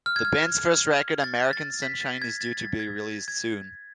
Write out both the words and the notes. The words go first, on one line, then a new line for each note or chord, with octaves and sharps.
The band's first record "American Sunshine" is due to be released soon.
F6
G#6
F6
A6
A6
B6
A6
G#6
A6
A6
G#6
G#6